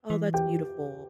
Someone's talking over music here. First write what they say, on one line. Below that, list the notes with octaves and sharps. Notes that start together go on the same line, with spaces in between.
Oh, that's beautiful.
E3
G4 G5